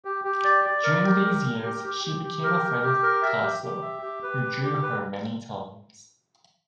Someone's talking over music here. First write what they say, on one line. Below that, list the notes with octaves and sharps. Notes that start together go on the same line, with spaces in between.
During these years she became a friend of Picasso, who drew her many times.
G4
G4
D5
D5
A#4
G4
A#4
A#4
G4
G4
G4
G4
A#4
G4
G4
A#4
E5
G4
G4
E5
G4
B4
G4
G4
B4